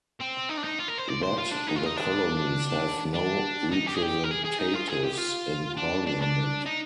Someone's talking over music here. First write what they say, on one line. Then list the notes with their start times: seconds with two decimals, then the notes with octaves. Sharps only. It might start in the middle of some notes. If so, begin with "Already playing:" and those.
That the Colonies have no Representatives in Parliament.
0.20 C4
0.49 D#4
0.57 D4
0.64 D#4
0.79 F4
0.88 A#4
0.98 C5
1.08 D5
1.23 C5
1.37 F4
1.51 D4
1.67 D#4
1.76 F4
1.86 D#4
1.97 D4
3.14 D4
3.71 D#4
3.86 G4
3.94 G#4
4.02 G4
4.24 A#4
4.31 G#4
4.45 G#4
4.60 D#4
4.75 F4
4.89 G#4
5.04 G4
5.18 F4
5.77 D4
6.07 D4
6.22 D4
6.66 D#4